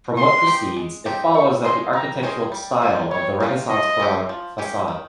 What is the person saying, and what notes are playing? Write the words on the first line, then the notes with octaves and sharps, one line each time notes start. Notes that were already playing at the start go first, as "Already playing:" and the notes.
From what proceeds, it follows that the architectural style of the renaissance baroque facade.
G#3 C6
C4 D#4 G4
G#3
C4 D#4 G4
G3 C#6
C#4 G#4 C5 D#5 C6
G3 A#5
C#4 G#4 C5 D#5
G3
A#3 C#4 F4
G3 C#5
A#3 C#4 F4
F3 D#5
G#3 C#4 G4
F3
G#3 C#4 G4
D#3